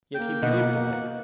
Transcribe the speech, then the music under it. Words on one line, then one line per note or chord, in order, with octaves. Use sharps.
Yet he believed in it.
A#3 G5
B2 D#5 F#5